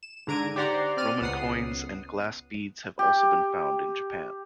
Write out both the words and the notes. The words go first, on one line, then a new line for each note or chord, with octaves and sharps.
Roman coins and glass beads have also been found in Japan.
E7
G#2 D3 A#5 G#6 D7 D#7
G4 C5 D5 F#5 A#5 C6
C4 D5 F6 D#7
C#2 B3 F#5 D#6 C7
G4